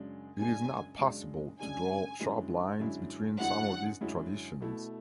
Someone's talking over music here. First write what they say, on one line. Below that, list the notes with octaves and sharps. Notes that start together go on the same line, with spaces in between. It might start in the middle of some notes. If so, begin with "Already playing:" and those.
It is not possible to draw sharp lines between some of these traditions.
Already playing: F#2 C#3 G#3 D4
F#2 C#3 G#3 D4 G#5
F#2 C#3 G#3 D4
F#2 C#3 G#3 D4 G#5
F#2 D3 G#3 C#4 E4
F#2 D3 G#3 C#4 E4
F#2 D3 G#3 C#4 E4 F#5
F#2 D3 G#3 C#4 E4
B2 A3 E4